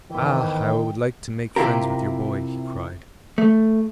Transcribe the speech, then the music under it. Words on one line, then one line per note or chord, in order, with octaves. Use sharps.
"Ah, how I would like to make friends with your boy!" he cried.
G#2 D#3 E3 B3 G5
C3 E4 F4 G4 A#4
A3